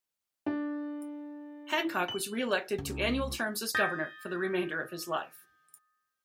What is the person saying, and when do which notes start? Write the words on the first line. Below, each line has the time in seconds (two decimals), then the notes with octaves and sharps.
Hancock was reelected to annual terms as governor for the remainder of his life.
0.46 D4
2.08 F#7
2.78 C#2
3.75 D#6 G6 A6 A#6